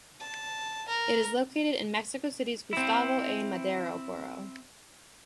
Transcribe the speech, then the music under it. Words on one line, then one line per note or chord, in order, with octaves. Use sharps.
It is located in Mexico City's Gustavo A. Madero borough.
A5
A#4
C4 E4